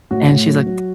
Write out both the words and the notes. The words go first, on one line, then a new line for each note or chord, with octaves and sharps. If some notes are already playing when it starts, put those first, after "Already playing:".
and she's like
A2 F#4
A2
F#3
F#3